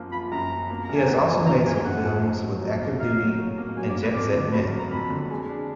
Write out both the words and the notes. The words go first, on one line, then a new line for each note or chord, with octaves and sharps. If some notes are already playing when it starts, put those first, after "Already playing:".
He has also made some films with Active Duty and Jet Set Men.
Already playing: F#2 F3 A#3
F4 B5
F#2 A#5
F3
A#3
A#5
F#2
G#5
F#2 F#5
F3 G#5
A#3 A#5
F#2 G#5
F#2 F#5
F3
D#4
F#3
F#3
A#3
D#4 F5
F#3
F#3
A#3
F#3 G#5
D5
A#3
B4
F2 D5
D3
F#3 B5
A#3
A#5
F2 B5
D3
G#3
D4